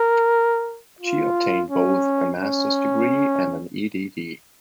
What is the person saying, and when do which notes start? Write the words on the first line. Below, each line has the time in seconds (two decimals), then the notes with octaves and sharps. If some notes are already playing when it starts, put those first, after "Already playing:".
She obtained both a master's degree and an Ed.D.
Already playing: A#4
1.00 F4
1.70 C#4
2.40 C#4